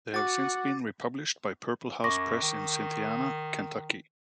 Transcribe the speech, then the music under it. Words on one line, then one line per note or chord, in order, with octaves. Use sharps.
They have since been republished by Purple House Press in Cynthiana, Kentucky.
F#4 F#5 D6 A6
F#2 C#6 D6 A#6
D#3